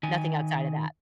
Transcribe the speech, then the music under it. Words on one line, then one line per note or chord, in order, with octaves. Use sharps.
nothing outside of that.
D#3 G#5